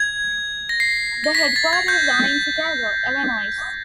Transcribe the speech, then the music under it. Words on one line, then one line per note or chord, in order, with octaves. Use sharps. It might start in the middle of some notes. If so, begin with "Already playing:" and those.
The headquarters are in Chicago, Illinois.
Already playing: G#6
A#6
C7
A#6
B6
B6
A6
G#6
G6